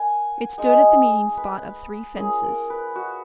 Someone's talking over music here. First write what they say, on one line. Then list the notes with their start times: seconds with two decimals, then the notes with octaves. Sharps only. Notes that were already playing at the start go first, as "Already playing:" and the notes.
It stood at the meeting-spot of three fences.
Already playing: A#3 F#5 G#5
0.58 G#3 D#4 G#5
1.37 B4
2.16 A#3 C#4 F4 G#4
2.43 A#4
2.70 B4
2.96 F#4